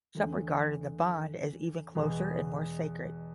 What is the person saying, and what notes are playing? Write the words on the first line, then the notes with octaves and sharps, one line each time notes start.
Some regarded the bond as even closer and more sacred.
E2 D3 A3
E2 B2 G#3 B3